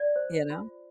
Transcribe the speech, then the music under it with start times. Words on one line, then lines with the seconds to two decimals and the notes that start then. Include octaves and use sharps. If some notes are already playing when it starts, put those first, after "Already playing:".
you know?
Already playing: D5
0.16 C5
0.50 F4